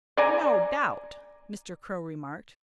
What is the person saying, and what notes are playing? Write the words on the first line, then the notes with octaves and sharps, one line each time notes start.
"No doubt!" Mr. Crow remarked.
D5 G#5 A#5